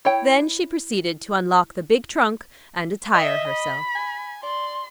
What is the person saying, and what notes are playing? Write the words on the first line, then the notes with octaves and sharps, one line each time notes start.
Then she proceeded to unlock the big trunk, and attire herself.
E4 C#5 G5
D#5 E5
B5
G#5
D5 C6